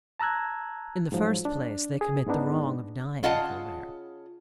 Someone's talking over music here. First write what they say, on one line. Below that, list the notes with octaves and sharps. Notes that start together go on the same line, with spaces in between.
"In the first place, they commit the wrong of dying, Colbert."
A5 A#5 E6 F#6 G#6
G#2 F3 F#3
D4
G#4
G#2 G#3 B3 D4 D#4
C#3 F4 D#5 F#5 A5